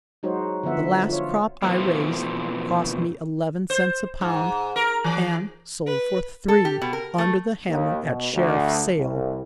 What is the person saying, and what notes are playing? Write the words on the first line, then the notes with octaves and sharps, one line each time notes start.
The last crop I raised cost me eleven cents a pound and sold for three under the hammer at sheriff's sale.
F#3 G#3 D#4 F#4 C5 C#5
D3 F3 B3 E5 F#5
F4 C#5
B2 E3 F3 A3 A#3 C4
C5
G#2
A#4
E3
B4
A4
G4
B2
A#4
A3
D#2
B2
D2
C2